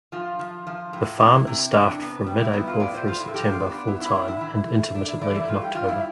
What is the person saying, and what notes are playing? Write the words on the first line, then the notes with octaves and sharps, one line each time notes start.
The farm is staffed from mid-April through September full-time, and intermittently in October.
F3 F4
F3
F3
A2
C3 E4
C3
C3 D4
B3
G3
E4
B3 E4
F4
A2 D5
C5
A2 F4
E4
A4
F3 G4
F4
B3
D4
B3 E4
E4
A2 D4
E4
E3 E4
A3
A3 D4
E4
E3 D5
E4
G3 F4
G4
G3 F4
E4